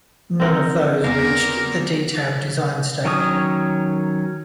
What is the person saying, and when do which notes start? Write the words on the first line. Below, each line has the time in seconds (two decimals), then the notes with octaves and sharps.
None of those reached the detail design stage.
0.40 C4 A#4 F#5
1.04 E2 A#4 F5
3.05 D#3 F#3 C#4 C#5 D#6